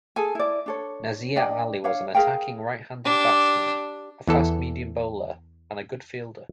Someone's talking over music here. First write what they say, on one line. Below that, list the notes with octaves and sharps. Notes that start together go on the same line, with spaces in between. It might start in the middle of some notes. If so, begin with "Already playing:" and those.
Nazir Ali was an attacking right-handed batsman, a fast-medium bowler and a good fielder.
G#4 A4 G#5
E4 D5
D4 A4 C#5
D4 D5 D#5 G5
D4 C#5 F5 F#5
G#4 A#4 F5 G5
D4 G4
E2 E3 A4